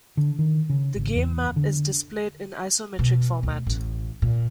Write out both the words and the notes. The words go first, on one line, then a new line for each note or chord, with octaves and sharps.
The game map is displayed in isometric format.
D3
D#3
C#3
G#1
E2
D3
B2
D2
A1
A#2